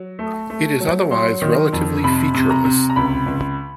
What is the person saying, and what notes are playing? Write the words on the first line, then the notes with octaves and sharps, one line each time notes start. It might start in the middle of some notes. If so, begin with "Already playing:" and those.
It is otherwise relatively featureless.
Already playing: F#3
A3
A3
F#3
F#3 C6
D#3
F2
C3 B5
C3
A#5
C3
A#5
C#2 B5
C#2